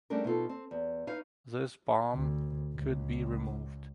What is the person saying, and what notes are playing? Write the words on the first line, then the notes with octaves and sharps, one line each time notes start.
This bomb could be removed.
G3 A3 C#4 D4 G#4 A#4
B2 D#4 F4 A4
C4
E2
D#4 E4 B4 C#5 F5
D2
C#2